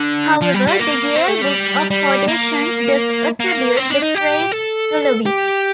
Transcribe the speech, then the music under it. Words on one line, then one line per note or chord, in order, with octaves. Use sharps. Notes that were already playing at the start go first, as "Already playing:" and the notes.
However, the "Yale Book of Quotations" does attribute the phrase to Lewis.
Already playing: D3
F3
G3
G3
A#3
C4
A3
G3
G3
A#3
A#3
C4
D4
D#4
G4
A4
G4